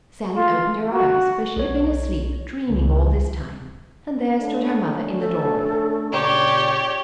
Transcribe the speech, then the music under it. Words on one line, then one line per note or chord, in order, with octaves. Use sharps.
Sallie opened her eyes, for she had been asleep, dreaming all this time, and there stood her mother in the doorway.
F4
F#4
B1 C#5
C#2
A3 C#4 D4
A4
A#2 C#3 G4 C#5 D5